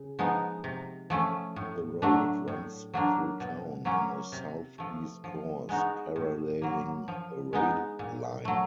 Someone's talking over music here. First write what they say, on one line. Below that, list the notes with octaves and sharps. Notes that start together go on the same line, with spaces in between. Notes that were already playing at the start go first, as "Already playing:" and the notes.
The road runs through town on a southeast course, paralleling a rail line.
Already playing: C#3
F3 G#3 B3 D#4
C3
F3 A3 C#4
A2
F#3 A3 D4
A2
F#3 A#3 D4
B2
F#3 A#3 C#4
C3
F3 A3
F3
G#3 B3 D#4 F#4
A2
F#3 A#3
F3
G#3 B3 D#4
A#2
F#3 A3